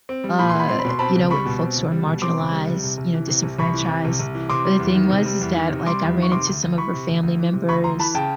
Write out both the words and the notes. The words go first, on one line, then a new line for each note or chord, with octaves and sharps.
uh, you know, with folks who are marginalized, you know, disenfranchised. But the thing was is that, like, I ran into some of her family members
C4
G3
A#2 B5
C6
A#2 B5
C4 C6
B5
B2 C6
C4 A5 B5
C#2
G3 B5 C#6
B2
C4
C#2
G3
B2
C4 C6 D6
C#2
G3
C3
C2
C2
E3
C3
C2
C2 B5 C#6
E3
C3
C2
C2
E3
C3 C6 D6
G3
E2
D#3
C3
G3
E2
D#3
C3
G3 C6 D6
E2
D#3 C#6
C3 C6 D6
D2
D2
E3 B5 C#6
C3
D2
D2
E3
C3
D2 B5 C#6
D2 A#5 C6
E3 A5 B5
C#3 G5 A5